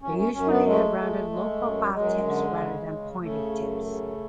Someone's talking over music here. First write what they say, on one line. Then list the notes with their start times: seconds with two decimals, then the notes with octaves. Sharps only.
They usually have rounded, low-profile tips rather than pointed tips.
0.02 F#2 C#4
0.18 C#4
0.33 F#2 C#4
0.50 B3
0.66 G#3 A3
0.97 G#3
1.30 G#3
1.61 F#2
1.93 F#2 G#3
2.25 D3
2.58 C#3
2.89 C#3
3.21 C#3 A3
3.54 F#2
3.86 C#3